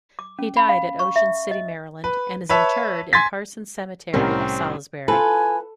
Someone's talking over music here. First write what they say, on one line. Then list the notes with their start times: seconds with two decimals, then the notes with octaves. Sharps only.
He died at Ocean City, Maryland, and is interred in Parsons Cemetery of Salisbury.
0.19 D6
0.39 C#4
0.57 B5
0.69 F5
1.00 C#6
1.16 E5
1.51 D#5
2.04 B4
2.49 B4 C#5 E5 A5
3.13 G#5 C6 G#6 A6 B6
4.14 C2 A2 G3 C4 C#4 A#4
5.08 F4 A4 B4 G#5